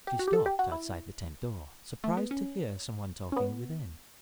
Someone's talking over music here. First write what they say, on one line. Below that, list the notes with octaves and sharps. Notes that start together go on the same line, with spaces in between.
But he stopped outside the tent door surprised to hear some one talking within.
G4
F#4
G4
A4
G4
F#4
E4
A3
B3
C#4
C#4
B3